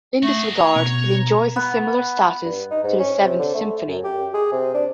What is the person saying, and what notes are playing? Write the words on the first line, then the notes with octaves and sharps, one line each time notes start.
In this regard it enjoys a similar status to the Seventh Symphony.
A3 F#4 G#4
C#5 A#5
B2
B3
G2
D#4
G#2
C#4
C3
D3
A3
F#2
G4
G#4
C3
D4